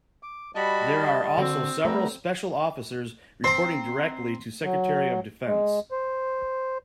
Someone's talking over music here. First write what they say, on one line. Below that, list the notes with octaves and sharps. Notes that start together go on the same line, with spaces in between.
There are also several special officers reporting directly to Secretary of Defense.
D6
G3 F#4 D#5 A5 B5
D3 C4 D4 F#4
G3 A3 B3 A#5
C4 A#5 C6
F#3
G#3
C5